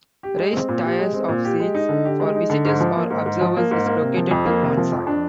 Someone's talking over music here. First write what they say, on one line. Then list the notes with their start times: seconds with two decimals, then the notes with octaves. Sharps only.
Raised tiers of seats for visitors or observers is located to one side.
0.23 G4
0.38 G#3
0.53 C4
0.68 A#2
0.84 G4
0.99 G#3
1.14 C4
1.28 A#2
1.45 G4
1.60 G#3
1.75 D#4
1.89 D3
2.05 G4
2.20 G#3
2.35 D#4
2.50 D3
2.65 G#2
2.80 F3
2.96 A#3
3.10 G#2
3.26 G#2
3.41 F3
3.56 A#3
3.71 G#2
3.86 A#3
4.02 C3
4.17 F3
4.31 F2
4.46 A#3
4.62 C3
4.77 F3
4.92 F2
5.07 D4